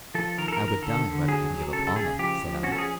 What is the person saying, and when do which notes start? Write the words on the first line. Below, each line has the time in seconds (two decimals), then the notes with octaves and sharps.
"I would die rather than give up Almah," said I.
0.14 F3 A4
0.38 D#3 A#4
0.48 A4
0.53 A#4
0.61 D#3
0.68 A#4
0.82 D3 A4
1.06 D3
1.28 F#3 G#4
1.51 F#3
1.73 C#3 A4
1.87 A4
1.96 C#3 G#4
2.19 F3 G4
2.41 F3
2.63 C#4 F#4
2.72 A4
2.78 G#4